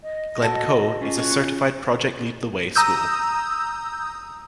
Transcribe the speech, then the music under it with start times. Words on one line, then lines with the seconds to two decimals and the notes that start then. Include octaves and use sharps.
Glencoe is a certified Project Lead The Way school.
0.03 D#5
0.42 F#4 A4
1.01 C#4 F4 G#4
1.17 F#4 C#5 F#5
1.31 C#6
2.76 A#5 D#6 E6 G6